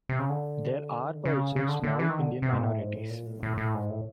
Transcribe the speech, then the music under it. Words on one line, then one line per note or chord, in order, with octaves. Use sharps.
There are also small Indian minorities.
C3
C#3
D3
D#3
D3
C#3
C#3
D3
D3
E3
D#3
D3
C3
G#2
A#2
A2
G#2
A2
A#2
A2
A2
A2
G#2
A2